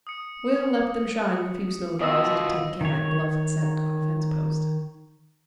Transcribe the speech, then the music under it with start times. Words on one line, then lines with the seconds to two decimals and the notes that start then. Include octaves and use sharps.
Will left them shying a few snowballs at a tin can Bluff had set on a fence-post.
0.07 D#6 C#7
2.02 B2 F4 D#5 D#6 E6 A#6
2.81 D#3 C#5